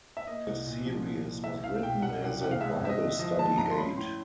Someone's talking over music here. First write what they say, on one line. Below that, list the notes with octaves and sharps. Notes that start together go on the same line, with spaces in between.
The series was written as a Bible study aid.
E5
A#3 D#5
C2
A#2
F3
A#3
C2
C2 E5
C2 F5
B2 G5
G3 F#5
C2
C2 F#5
F5
G#3 E5
G2 E5
D#5
D3
F3 D#5
G#3 A5
G2 A#5
C6
C#4 B5
A2 C6